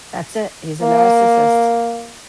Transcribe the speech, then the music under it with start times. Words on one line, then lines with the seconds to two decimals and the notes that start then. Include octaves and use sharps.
That's it, he's a narcissist.
0.82 A#3